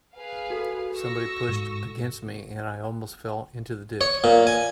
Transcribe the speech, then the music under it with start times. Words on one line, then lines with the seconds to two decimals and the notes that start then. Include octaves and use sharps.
Somebody pushed against me, and I almost fell into the ditch.
0.14 G#4 B4 F5
0.50 F#4 A4
0.97 C#6 E6 A#6
1.49 G#2
4.01 C#5
4.24 A#2
4.47 G#5